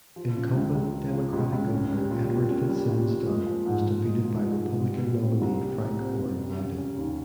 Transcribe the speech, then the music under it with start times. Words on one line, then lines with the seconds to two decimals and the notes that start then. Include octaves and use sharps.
Incumbent Democratic Governor Edward Fitzsimmons Dunne was defeated by Republican nominee Frank Orren Lowden.
0.16 F3
0.36 C#3
0.55 C#2
0.75 C#2
0.94 F3
1.13 C#3
1.33 C#2
1.52 C#2
1.72 C#4
1.92 G3
2.10 A#2
2.30 A#2
2.49 C#4
2.69 G3
2.89 A#2
3.08 A#2
3.27 G#3
3.46 F3
3.66 G#2
3.86 G#2
4.05 G#3
4.25 F3
4.44 G#2
4.63 G#2
4.83 G3
5.02 A#2
5.22 C4
5.42 C2
5.60 G3
5.80 A#2
6.00 C4
6.19 C2
6.38 G3
6.58 C#3
6.77 C#4
6.97 D#2